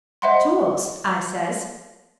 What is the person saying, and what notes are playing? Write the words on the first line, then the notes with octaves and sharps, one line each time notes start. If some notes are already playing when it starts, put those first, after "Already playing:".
"Tools?" I says.
C5 D#5 E5 F#5 B5 C6